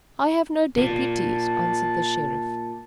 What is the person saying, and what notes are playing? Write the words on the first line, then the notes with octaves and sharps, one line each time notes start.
"I have no deputies," answered the sheriff.
A#2 A5